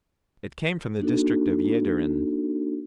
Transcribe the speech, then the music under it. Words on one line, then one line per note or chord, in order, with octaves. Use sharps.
It came from the district of Jaederen.
A#3 D4 D#4 F#4 A4